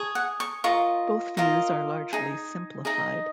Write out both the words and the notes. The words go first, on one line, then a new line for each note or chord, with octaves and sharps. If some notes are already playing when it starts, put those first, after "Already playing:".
Both views are largely simplified.
Already playing: G#4 C#5
F#5
C#6
F4 A#4 D#5 C#6
F4 A#4 D#5
D#4 G#4
D#4 G#4 D#5